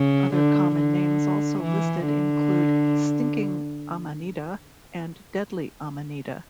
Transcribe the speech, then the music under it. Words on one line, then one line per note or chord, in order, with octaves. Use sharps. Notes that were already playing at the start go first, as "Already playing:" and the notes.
Other common names also listed include "stinking amanita" and "deadly amanita".
Already playing: C#3
D3
D3
E3
D3